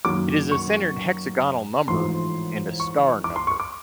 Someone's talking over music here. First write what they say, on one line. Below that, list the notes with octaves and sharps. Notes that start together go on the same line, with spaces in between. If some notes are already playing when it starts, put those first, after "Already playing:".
It is a centered hexagonal number and a star number.
F#2 D#3 F#3 A#3 D6
C#6
A1 G#2 F3 A3 C6
C#6
D6
C6
C#6
D6